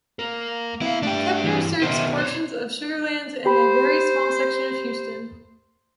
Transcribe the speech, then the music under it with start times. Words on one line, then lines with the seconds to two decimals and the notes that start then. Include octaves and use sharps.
Kempner serves portions of Sugar Land and a very small section of Houston.
0.19 A#3 A#4
0.82 B3 E4 F5
1.03 A3 D4 G4
1.44 G2 E3
1.82 B2 D#3 C5 E5
2.18 C5 C#5
3.46 G4 C5 B5